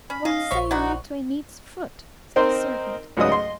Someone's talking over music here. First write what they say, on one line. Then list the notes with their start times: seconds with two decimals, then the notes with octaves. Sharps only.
"What say you to a neat's foot?" said the servant.
0.10 C#4 B5
0.25 C#4 D#4 D#5 F5
0.51 A#1 C5 C#5 E5 C#6
0.71 D#4 E4 F#4 D5 F#5
2.36 C4 D#4 A#4 C5 D#5 C6
3.17 C#2 G#2 F#3 B4 D#5 D#6
3.29 D#5 C6